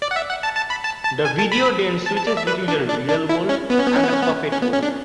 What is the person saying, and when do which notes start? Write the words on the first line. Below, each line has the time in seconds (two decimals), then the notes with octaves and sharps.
The video then switches between the "real world" and the "puppet world".
0.02 D5
0.11 F#5
0.16 E5
0.29 F#5
0.43 A5
0.56 A5
0.70 B5
0.84 A5
1.04 A5
1.25 G#5
1.39 A5
1.52 B5
2.06 A5
2.17 A5
2.27 D5
2.37 E5
2.47 B4
2.68 D4
2.89 D4
3.09 D4
3.29 E4
3.49 C#4
3.70 B3
3.79 C#4
3.87 B3
3.95 C#4
4.04 B3
4.13 C#4
4.22 B3
4.52 C#4
4.62 B3
4.73 C#4
4.83 D4